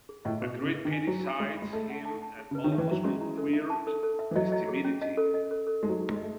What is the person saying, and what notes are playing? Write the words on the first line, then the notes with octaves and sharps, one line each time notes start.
A great pity seized him and almost conquered his timidity.
G#4
A2 D#5
B2 G#4
C#3 G#4
B4
D#3
G#5
F#3 G#4
B5
G#3 G#4
B5
G#3
A3 A5
F#5
A5
A5
G#4
C#3 B4
D#3
E5
E3
F#3 E5
G#3 C#4
E4
A4
E5
A5
A4
A4
E5
E3
F#3 D#5
D#5
G#4
C#4
D#5
A4
D#5
A4
A4
G#3 D#4
F#3
D#4
G#3
D#5
A3